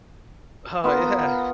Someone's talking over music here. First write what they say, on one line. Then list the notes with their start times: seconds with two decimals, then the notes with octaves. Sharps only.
Oh yeah,
0.84 B3 F4 A#4 B4